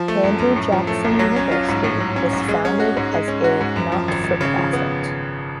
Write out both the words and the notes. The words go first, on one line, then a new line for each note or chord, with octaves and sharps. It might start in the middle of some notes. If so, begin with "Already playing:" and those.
Andrew Jackson University was founded as a not for profit.
Already playing: F3
A3
F#2
F#2
A2
F3
A3
B1
F#3
C#4
F4
G#2
A2
F#3
C#4
B1
G#3
C#4
F#4
G#2
G#3
C#4
F#4
G#2
F#2
F3
G#1
G#1
C#3
F3
B3